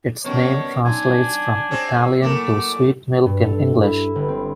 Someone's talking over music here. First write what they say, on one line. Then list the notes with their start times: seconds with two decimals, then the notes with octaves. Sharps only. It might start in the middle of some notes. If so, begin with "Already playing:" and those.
Its name translates from Italian to 'sweet milk' in English.
0.25 B2 D#3 G3 B3 C#4 C#5
0.85 F#3 D4 D#4 G#5 C6
1.71 C4 C#4 G#4
2.22 F#2 A3 A#3 E4 A#4 D6
3.26 G2
3.44 A4
3.83 E4
4.15 G1
4.28 C4